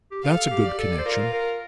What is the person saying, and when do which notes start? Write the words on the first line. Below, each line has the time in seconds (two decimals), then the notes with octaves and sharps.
'That's a good connexion!
0.11 G4
0.24 A4 F5
0.51 G4
0.65 G4 D5
0.78 A4
0.98 C5
1.05 F4 A#4
1.33 A#4